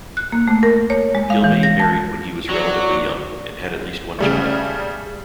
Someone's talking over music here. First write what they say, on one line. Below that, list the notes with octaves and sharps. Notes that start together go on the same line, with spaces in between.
Kilmaine married when he was relatively young and had at least one child.
F#6
A#3
A3
A#4
C#5
G#3
F5
E3
A#6
A5
F#3 D5
C#3 G3 A3